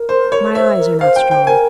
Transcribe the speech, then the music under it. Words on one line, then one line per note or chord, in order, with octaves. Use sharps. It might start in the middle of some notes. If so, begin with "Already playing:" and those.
"My eyes are not strong."
Already playing: A#4
C5
C#5
C5 E5
A#4
C5 F5
G5
G5
A#4 G#5